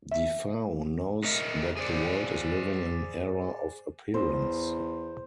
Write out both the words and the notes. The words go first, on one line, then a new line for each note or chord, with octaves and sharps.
Defao knows that the world is living an era of appearance.
E5
D#4 A#4 C#5 D#5 E5
G#4 C5 D5
E2 C5